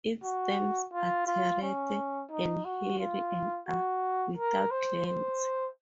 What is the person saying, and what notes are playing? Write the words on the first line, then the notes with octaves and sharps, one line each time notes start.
Its stems are terete and hairy and are without glands.
F#4
F4
F4
C#4
D#4
F#4
F4
F#4
A#4
C5
C5